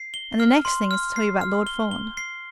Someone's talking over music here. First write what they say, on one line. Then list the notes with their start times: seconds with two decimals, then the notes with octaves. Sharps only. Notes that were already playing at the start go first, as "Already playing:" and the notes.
"And the next thing is to tell you about Lord Fawn."
Already playing: C7
0.14 G7
0.40 F6
0.65 C6
0.91 F6
1.16 C7
1.41 F6
1.67 G7
1.91 G7
2.17 C7